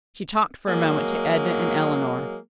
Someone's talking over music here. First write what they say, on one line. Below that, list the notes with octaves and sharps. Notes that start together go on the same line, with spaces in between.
She talked for a moment to Edna and Eleanor.
F#3 G#3 A#3